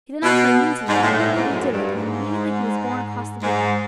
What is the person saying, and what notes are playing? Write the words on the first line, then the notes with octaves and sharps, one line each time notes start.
He did not quite mean to let go, but he did it, and immediately he was borne across the room.
B2
G#2
A2
A2
G#2
F#2
G2
G#2
G#2